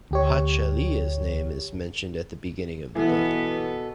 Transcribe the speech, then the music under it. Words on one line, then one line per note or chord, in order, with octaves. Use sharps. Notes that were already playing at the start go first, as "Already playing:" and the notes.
Hachaliah's name is mentioned at the beginning of the book.
D2 G4 C#5
B2 E3 B3 A4